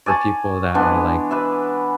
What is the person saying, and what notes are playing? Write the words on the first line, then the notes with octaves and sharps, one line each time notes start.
for people that are, like,
D5 G#5 A5 C#6
E3 G#3 B3 D4
B4 D5 E5